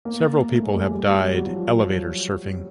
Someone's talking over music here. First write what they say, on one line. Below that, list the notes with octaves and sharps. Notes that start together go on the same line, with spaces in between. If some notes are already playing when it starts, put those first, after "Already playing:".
Several people have died elevator surfing.
A#3
A3
G#3
G3
G3
G3
G3
F#3
F3